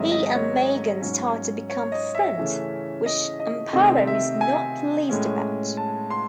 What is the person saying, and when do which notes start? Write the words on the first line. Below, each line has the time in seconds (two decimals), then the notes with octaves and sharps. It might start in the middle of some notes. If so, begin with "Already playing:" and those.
He and Megan start to become friends, which Amparo is not pleased about.
Already playing: G#2 D#3 F#3 A3 C4 D#5 E5
0.11 D#5
0.35 C#5
1.02 G#2 F#3 C#4
1.70 C#5
1.92 D#5
2.15 E5
2.37 C#3 E3 A3 C#4
3.06 D#5
3.40 D#5
3.73 C3 D#3 A3 C4 D#5
4.07 E5
4.41 G#5
5.09 A2 G#3 C#4
5.77 A5
6.10 C6